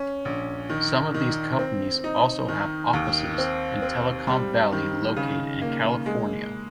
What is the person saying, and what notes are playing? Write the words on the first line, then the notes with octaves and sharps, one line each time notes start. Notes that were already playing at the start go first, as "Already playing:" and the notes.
Some of these companies also have offices in Telecom Valley located in California.
Already playing: C#4
A#1
D#3
D#3
C4
D#4
D#3
D#2
C4
C4
G3
D#3
C#3
A#3
G#3